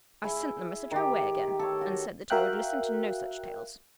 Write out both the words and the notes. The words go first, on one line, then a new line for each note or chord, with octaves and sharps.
I sent the messenger away again, and said that I would listen to no such tales.
E4 G#4
D#3 G4
A4 C#5
F#4
F#4 A#4 E5 F5 G5 F#6